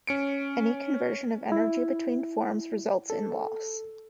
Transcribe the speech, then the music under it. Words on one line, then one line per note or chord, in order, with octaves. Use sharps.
Any conversion of energy between forms results in loss.
C#4 C#7 D7
E4
A4